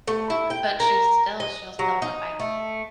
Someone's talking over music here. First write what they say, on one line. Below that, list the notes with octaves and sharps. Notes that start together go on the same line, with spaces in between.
But she's still she'll still walk by,
A3
E4
G5
A#4
D#5
F#3
D#4
A3